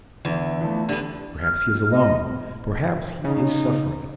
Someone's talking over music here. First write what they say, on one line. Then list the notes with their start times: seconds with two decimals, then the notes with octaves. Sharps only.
Perhaps he is alone. Perhaps he is suffering.
0.25 E2 D3 E4
0.61 E3 F3 A3
0.89 D3 B3 G4 D5
1.41 F6
1.90 D#5
3.24 C#3 D#4